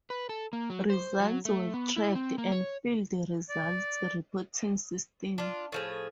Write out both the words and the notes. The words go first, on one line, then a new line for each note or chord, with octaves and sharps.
Results were track and field results reporting system.
B4
A4
A#3
F#3
C5
F#3
A3
B3
E4
C4
A#3
C#5
D5
D4 F4
A2 F3 G#4